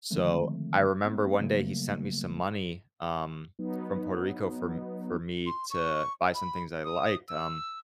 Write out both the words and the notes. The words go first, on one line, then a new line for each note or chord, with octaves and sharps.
so, I remember one day he sent me some money, um, from Puerto Rico, for m for me to buy some things that I liked, um,
D3 D#3 F3 G#3 A3 C4
A3 B3 C4
C#3 F#3 G3 A3 A#3
F#3 B3 D#4
C6
C#6
B5
D#6
E6